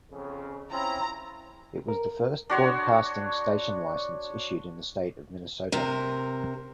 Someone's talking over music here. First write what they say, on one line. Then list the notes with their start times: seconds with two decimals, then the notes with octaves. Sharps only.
This was the first broadcasting station license issued in the state of Minnesota.
0.10 F2 C#3
0.72 C4 C#4 E4 F4 A#5
1.88 A#4
2.50 D4 F#4 C#5 C6
5.72 C3 A#4